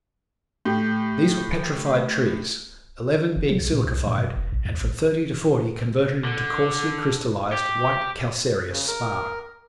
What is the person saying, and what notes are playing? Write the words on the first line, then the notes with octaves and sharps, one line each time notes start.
These were petrified trees, eleven being silicified, and from thirty to forty converted into coarsely-crystallized white calcareous spar.
A2 G4
E1
F#3
B1
A#2
C2
A2
G2
F1
A1
D#2
G#1
D3
G4
C#3
A#4